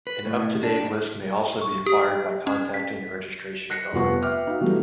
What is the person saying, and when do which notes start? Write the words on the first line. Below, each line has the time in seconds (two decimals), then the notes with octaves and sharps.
An up-to-date list may also be acquired by contacting the registration authority.
0.07 B4
0.26 A2
0.63 D4
1.62 C#6
1.86 G4
2.47 C#4
2.74 B6
3.70 F#6 A#6 C7 C#7
3.93 F1 G2 B3 F4 F#5 C#6
4.22 B4 E5 G5 D6 F6
4.47 D#4 F#4 F5
4.60 B2 E3 F#3 G3 A3